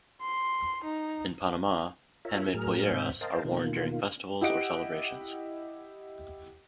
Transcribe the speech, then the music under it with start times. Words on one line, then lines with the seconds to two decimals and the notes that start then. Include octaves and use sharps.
In Panama, handmade polleras are worn during festivals or celebrations.
0.21 C6
0.83 D#4
2.25 F4 A#4 C#5 E5
2.54 A2 F#3 G#4 A#4 F6
2.92 G#2 C3 C4 E5 G6
3.21 A#4 C5 D#5 F5 G5 A5
3.45 B2 D#3 A#3 F4
4.41 E4 G4 D#5 F#5 D7